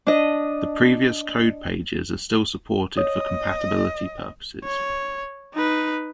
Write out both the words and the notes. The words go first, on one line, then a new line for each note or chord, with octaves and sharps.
The previous code pages are still supported for compatibility purposes.
D4 D#5
C#5 D#5 D#6
C#5
D#4 B4